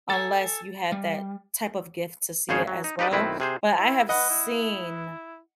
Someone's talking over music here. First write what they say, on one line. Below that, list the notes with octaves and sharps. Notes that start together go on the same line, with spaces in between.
unless you had that type of gift to see it, as well. But I have seen
A4 G#5 A6
G3
G#1 C#3 F3 G#4 C5 C#5
F#3
D#4
D#4 G4 B4 D5 D#5
B1 D#3 C4 E4 B4
C3 G#4 C5
E4
B4 D#5 F#5
E4